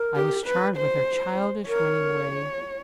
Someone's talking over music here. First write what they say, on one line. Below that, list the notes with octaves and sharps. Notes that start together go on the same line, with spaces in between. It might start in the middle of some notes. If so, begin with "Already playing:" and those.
I was charmed with her childish, winning way.
Already playing: A#4
G4
B4
C5
A#4 C#5